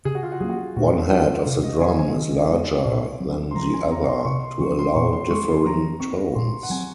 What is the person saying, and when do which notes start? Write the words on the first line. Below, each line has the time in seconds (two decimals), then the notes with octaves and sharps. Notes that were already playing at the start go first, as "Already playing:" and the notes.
One head of the drum is larger than the other to allow differing tones.
0.05 C#3 G#4
0.15 F#4
0.23 F4
0.32 F#4
0.40 F#3 A#3 C#4 G#4
0.49 F#4
0.56 G#4
0.76 A#2 F#4
0.93 F#4
1.10 F#3 C4 F4
1.28 F#4
1.46 C3 F5
1.64 D#5
1.81 F#3 C#4 G#5
1.99 G#5
2.16 D#3
2.51 G#3 C#4
2.85 A#2
3.20 F#3 C4
3.51 C6
3.55 F3 A#5
3.74 G#5
3.91 C4 A#5
4.09 C6
4.25 C3 C#6
4.43 C6
4.60 F3 C4 C#6
4.79 C6
4.96 A#2 C#6
5.13 C6
5.31 G#3 C#4 C#6
5.48 C6
5.65 F3 A#5
6.00 C4 C#6
6.35 A#2 C6
6.63 F#5
6.70 F#3 C4 G#5